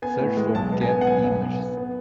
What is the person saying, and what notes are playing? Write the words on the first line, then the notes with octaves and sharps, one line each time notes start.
Search for cat images.
B3 G#5
A2
G#3
B1 A5
B3
G#5
B3
F#5
B1 G#5
B1
B3
B3
B3